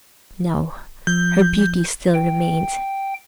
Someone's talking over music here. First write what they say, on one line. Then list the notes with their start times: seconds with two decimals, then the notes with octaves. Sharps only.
No! her beauty still remained.
1.07 F3 G6
2.14 G5